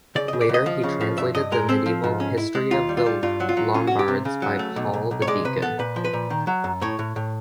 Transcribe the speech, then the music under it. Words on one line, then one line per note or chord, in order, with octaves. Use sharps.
Later, he translated the medieval "History of The Lombards" by Paul the Deacon.
C#3 D5
C#3 D#5
D5
C#2 D#5
F3
C#3
F3
G2 E5
G2 D#5
G#3 A#4
C4 A4
F3
G#2
C#4
E4
G#3
D#2 F4
G3
F4
G3
G2 F4
F#3
F4
F#3
C#4 F4
C#4 F#4
G4
C3
C#3
F#3
A3
B1
B1
B1
C#5
G#3 D5
C3 B4
B3 A4
A#2 B4
F3
B4
A#2
D#3
F#3
F#2
A2 C#5
A2
A2